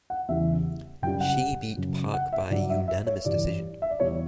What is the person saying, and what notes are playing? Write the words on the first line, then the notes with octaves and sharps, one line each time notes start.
She beat Park by unanimous decision.
F#5
E2 C#3 E3 G3 E5
F#2 C#3 G3 G5
F#5
F#2 C#3 F#3
F#5
E5
G2 F#3 D5
E5
E5
C#5
G2 E3 G3 D5
E5
D5
E2 B2 G3 C#5